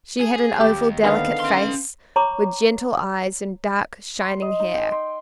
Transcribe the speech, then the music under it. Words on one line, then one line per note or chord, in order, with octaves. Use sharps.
She had an oval, delicate face, with gentle eyes and dark, shining hair.
G#4
D#2 G4
D3 D#3 B3 F5
C#4 C6
C#5 A#5 B5 C#6 D6
C6
D#5
D#4
G5
C6